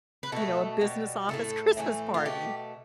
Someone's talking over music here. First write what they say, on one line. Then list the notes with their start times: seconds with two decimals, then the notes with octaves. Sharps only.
You know, a business office Christmas party.
0.23 B4
0.32 B2 A3 A4
0.81 B2 G3
1.29 A2 E3 A3 A4
1.77 A2 E3 A3
2.14 F4
2.25 B2 A3 G4